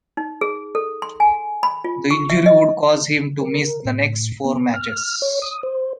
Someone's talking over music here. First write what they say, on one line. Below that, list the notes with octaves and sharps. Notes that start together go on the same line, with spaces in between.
The injury would cause him to miss the next four matches.
D#4
G#4
A4
C6
G#5
B5
F4
C#6
E5
D#5
A#4
A2
B3
F6
C#5
D#6
C5